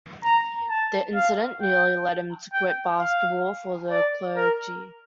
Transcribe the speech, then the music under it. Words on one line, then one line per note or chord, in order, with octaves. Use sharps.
The incident nearly led him to quit basketball for the clergy.
A#5
A5
F5
G5
G5
F5
D5
A#4